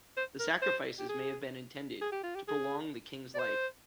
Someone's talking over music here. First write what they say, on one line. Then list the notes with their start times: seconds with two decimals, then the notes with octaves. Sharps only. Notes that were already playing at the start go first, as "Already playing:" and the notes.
The sacrifices may have been intended to prolong the king's life.
0.17 C5
0.39 A#4
0.62 C5
0.99 G4
1.09 G#4
2.01 G#4
2.12 G4
2.24 F4
2.35 G4
2.48 G#4
3.34 D5
3.39 C5